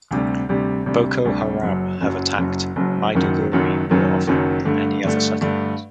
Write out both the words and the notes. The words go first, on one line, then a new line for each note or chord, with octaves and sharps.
Boko Haram have attacked Maiduguri more often than any other settlement.
D2 C3 G3
D2 C3 G3
D2 C3 G3
D2 C3 G3
F#1 F#2 F#3
F#1 F#2 F#3
F#1 F#2 F#3
F#1 F#2 F#3
F#1 F#2 D#3 F#3
F#1 F#2 D#3 F#3
F#1 F#2 D#3 F#3
F#1 F#2 D#3 F#3
G2 D3 A3
G2 D3 A3
G2 D3 A3